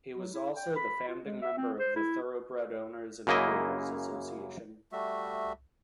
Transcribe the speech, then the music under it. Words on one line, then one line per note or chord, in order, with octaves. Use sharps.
He was also the founding member of the Thoroughbred Owners and Breeders Association.
F#3
E4
G5
B5
F4
G#3
E5
C4
C5
E4
F#2 C#3 A#3 E4 D#5
G3 A3 F#4 E5